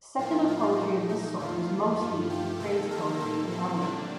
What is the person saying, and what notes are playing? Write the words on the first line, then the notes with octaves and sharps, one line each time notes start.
Secular poetry of this sort was mostly used for praise poetry and elegy.
A2 F3 A#3 F4
D#4
A#2 A3
D#4
F2 D#3 A3 F4
G2 F3 A3
G4
C3 D#3 A#3 A4
A#4
A2 G3 A#3 A4
C4
A2 G3 A#3 D4